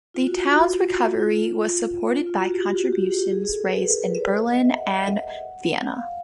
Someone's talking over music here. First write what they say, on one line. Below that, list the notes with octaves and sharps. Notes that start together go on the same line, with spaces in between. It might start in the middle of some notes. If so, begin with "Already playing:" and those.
The town's recovery was supported by contributions raised in Berlin and Vienna.
F4
F#4
F4
F#4
F4
F4
F#4
G4
G4
F#4
G4
G#4
G4
G#4
G#4
A4
B4
A#4
B4
C#5
D#5
E5
F#5
F5